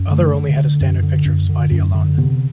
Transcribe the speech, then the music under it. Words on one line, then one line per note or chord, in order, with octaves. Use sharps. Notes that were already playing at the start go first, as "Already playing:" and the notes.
Other only had a standard picture of Spidey alone.
Already playing: F#2
D3 A3
D3
D3
F#2
D3
F#2
D3
F#2
D3
C3 B3